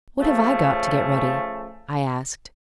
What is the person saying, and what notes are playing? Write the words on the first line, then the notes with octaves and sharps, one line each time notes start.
'What have I got to get ready?' I asked.
C#3 F3 A3 C#4